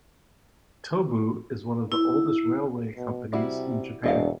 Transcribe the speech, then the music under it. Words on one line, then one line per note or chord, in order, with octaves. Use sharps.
Tobu is one of the oldest railway companies in Japan.
E4
B2
C3 G3 E4 F#4
E1 D4 A4 D#5 F5